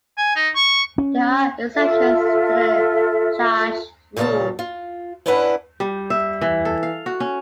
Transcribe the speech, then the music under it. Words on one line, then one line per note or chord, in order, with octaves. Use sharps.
There are exceptions to the Tarrasch rule.
G#5
D#4
C#6
C#4
F4 A4 E5
E2 A#2 C#3 F3 C#5 A5
F4
A2 C#4 D4 E4 B4 F#5
G3
E5
E3
A4
F5
F#4
C#4